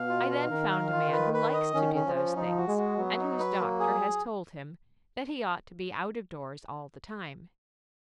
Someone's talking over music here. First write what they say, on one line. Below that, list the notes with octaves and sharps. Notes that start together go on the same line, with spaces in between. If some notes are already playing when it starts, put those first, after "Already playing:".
I then found a man who likes to do those things and whose doctor has told him that he ought to be out of doors all the time.
Already playing: B2 F5
F4
F5
D#3 A#4
F5
F4
B4
B4
D#5
D#3 C#4
C#4
F3
C#4
F3 D#4
F#4
G#3
F#4
F#3 B3
D#4
B4
A#3
G#4